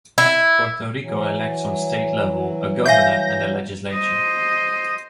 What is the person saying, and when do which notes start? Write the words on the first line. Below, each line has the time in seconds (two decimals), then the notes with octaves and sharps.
Puerto Rico elects on state level a governor and a legislature.
0.18 E4
1.02 E3 F#3
2.86 E5 F5 G#5 G6 A#6
3.94 C5 D#5